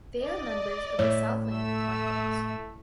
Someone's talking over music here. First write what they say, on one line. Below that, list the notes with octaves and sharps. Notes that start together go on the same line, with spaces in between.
They are members of the Southland Conference.
D5 D#5
A2 C#5 E5
A3 E5 E6